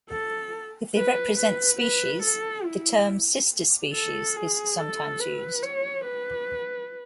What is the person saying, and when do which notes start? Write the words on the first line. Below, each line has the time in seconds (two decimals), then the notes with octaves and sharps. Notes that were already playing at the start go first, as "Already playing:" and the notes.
If they represent species, the term "sister species" is sometimes used.
0.10 A4
0.95 B4
1.38 B4
1.80 B4
2.23 A4
2.65 E4
3.93 A4
4.36 G#4
4.78 A4
5.20 B4
5.63 C#5
6.05 B4